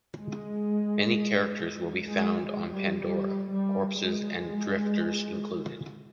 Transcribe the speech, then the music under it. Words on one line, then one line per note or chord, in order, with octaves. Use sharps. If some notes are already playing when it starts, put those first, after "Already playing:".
Many characters will be found on Pandora, corpses and drifters included.
G#3
G#3
G#3
G3
G3
G3
G#3